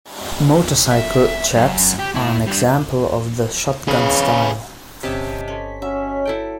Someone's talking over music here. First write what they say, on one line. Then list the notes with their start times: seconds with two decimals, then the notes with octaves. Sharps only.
Motorcycle chaps are an example of the shotgun style.
0.91 E5
1.55 F#2
1.99 G4
2.15 A2 E4
2.47 G3 D4
3.88 C#3 G#4 B4
5.03 G1 C3 C#4 D5 D#5 A5 B6
5.48 C#4 A4 C5 A5
5.82 F#3 C#4 E5
6.25 E4 A4 G5